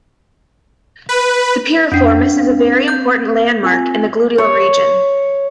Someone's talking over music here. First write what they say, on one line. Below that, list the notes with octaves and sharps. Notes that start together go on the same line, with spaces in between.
The piriformis is a very important landmark in the gluteal region.
B4
F2 C#4 D4
C4 F5
G6
C4 F4 G#5
C#5